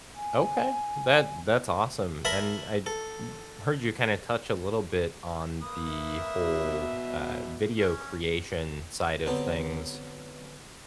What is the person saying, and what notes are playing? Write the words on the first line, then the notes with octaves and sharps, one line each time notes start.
Okay, that that's awesome, and I, mm, heard you kinda touch a little bit on the whole, uh, video creation side of things.
G#5
A#4 E5 A5 B5
A4
A#3 B4 D#6
E5
B2
C#4
D3 F#3 B3 C4 G4 A4